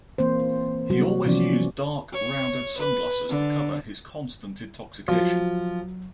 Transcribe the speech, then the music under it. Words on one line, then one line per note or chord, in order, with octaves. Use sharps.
He always used dark rounded sunglasses to cover his constant intoxication.
E3 A#3 C4 C5
C3 F#3 G3 A#3 F#4
C3 E3 F3 B3 C#4 D5
C#5
B4
D3
F3 F#3